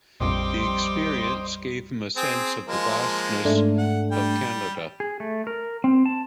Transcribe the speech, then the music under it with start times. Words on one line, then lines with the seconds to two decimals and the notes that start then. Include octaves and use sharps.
The experience gave him a sense of the vastness of Canada.
0.20 A#1 F2 G3 C5 D#5 G5 C6 D6
2.16 C4 G#4
2.67 F3 G#3 A#3
3.45 G#2 A3 D4
3.77 F#5
4.11 G3 G5
5.00 G#4
5.20 A3
5.47 A#4
5.84 C4
6.06 A5